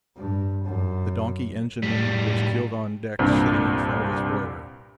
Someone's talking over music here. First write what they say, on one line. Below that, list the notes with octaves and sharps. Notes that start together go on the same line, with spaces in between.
The donkey engineman was killed on deck sitting in front of his boiler.
G2
F#2
A2 G3
C2 G2 A#2 G3 C4